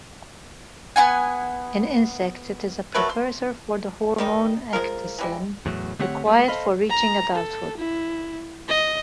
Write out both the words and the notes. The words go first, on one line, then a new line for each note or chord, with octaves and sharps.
In insects it is a precursor for the hormone ecdysone, required for reaching adulthood.
B3 E4 F#5 G#5
F#3 A3 A#4 B4
C6
D#3 G3 D#4
F3 G#3 F4 A#4
E3 G3 G#3
E2 A2 F#3
D3 A3 C4 G4 C#5 F#5
G3 A3 A#3
A4 A#4 C5 D#5 F5 B5
A#5
A4
E4
D#5